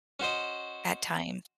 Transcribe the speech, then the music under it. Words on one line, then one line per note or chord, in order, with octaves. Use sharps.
at times.
C#4 F#4 C5 D#5